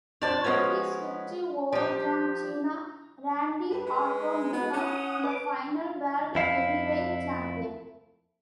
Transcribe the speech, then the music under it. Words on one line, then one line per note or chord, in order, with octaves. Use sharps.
With his victory over John Cena, Randy Orton became the final World Heavyweight Champion.
F2 D4 C5 D5 A5
F3 G#3 B3 C#4
F3 G4
G2 B4
G#3
B3 D#4 F#4 G#4
C#4 F#5 D#6
B4 D6
F2 E4 F5